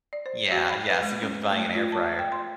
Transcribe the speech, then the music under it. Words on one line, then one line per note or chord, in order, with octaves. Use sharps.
Yeah, yes, and you'll be buying an air fryer.
D5
C5
F#4
B5
B4
G#3
C#4
A3
F4
A5
G5
C6